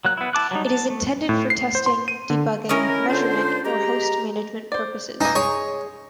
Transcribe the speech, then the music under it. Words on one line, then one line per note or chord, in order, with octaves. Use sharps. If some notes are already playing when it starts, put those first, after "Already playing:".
It is intended for testing, debugging, measurement, or host management purposes.
F#3 A#3 F#6
B3 E4
E4 A5 D6 F#6
F#3 G3 D#4
A5
A3
A2
C7
C5
C6
D#7
D3
C#4 E4 A#4 D#5
D3 F4 C5
G#3 G4 A#5
C5 D5
E3 A#3 D#4
G#3 G#4 C#5